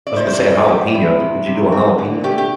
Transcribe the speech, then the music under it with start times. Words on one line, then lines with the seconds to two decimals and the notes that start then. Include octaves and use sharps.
I was gonna say, jalapeno did you do a jalapeno one?
0.07 D5
0.16 E4 C5
0.27 C5
0.34 D5
0.43 E4
0.51 A4
0.68 G3 G4
0.94 C3 E4
1.20 C3
1.46 C3
1.72 C4
1.98 D3
2.24 A3 G4
2.38 G4